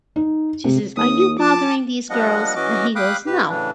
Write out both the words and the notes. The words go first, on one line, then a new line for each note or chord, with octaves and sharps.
she says, "Are you bothering these girls?" And he goes, "No."
D#4
C3
D#2 D#6
F3 A5 D6
F3 G3 A#3 D4 D#5 F#5
E3 C#4 F#4 D#5 D6
F5 G5 B5 D6 D#6 F#6
C3 G4 B4
A2 C#3 E3 D4